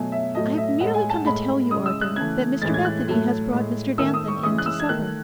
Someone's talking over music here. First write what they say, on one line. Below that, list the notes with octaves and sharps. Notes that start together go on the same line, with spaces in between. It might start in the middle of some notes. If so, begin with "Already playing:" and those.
'I have merely come to tell you, Arthur, that Mr Bethany has brought Mr Danton in to supper.
Already playing: B2 F#3 A3 G#5
E5
A2 F#3 A3 D#5
E5
A2 G#3 F#5
G#5
A5
A2 G#3 B5
C#3 G#3 D#6
E6
F#6
C#3 E3 A3 G#6
A2 E3 G#3 A6
G#6
F#6
A2 F#3 A3
A2 G#3
D#3 A3 E6
D#6
C#6
C#3 E3 G#3 D#6
F#6
E6
G#6
D#3 A3 F#6